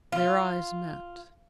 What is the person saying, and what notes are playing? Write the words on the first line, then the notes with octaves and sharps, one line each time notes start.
Their eyes met.
F4